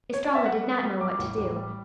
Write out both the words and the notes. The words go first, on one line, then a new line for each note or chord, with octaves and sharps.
Estralla did not know what to do.
C#5
D5
E5
G3 F#5
B3
G3
G3 D6
A1
A1
G3